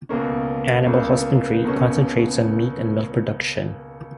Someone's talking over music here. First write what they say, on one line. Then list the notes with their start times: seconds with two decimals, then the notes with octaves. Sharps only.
Animal husbandry concentrates on meat and milk production.
0.09 C#2 B2 A#3 C#4
0.86 C#2 B2 A#3 C#4
1.64 C#2 B2 A#3 C#4